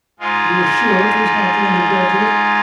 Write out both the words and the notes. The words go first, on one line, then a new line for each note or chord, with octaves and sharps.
"You are sure 'twas not the undergraduate?"
G#2 G#3 F4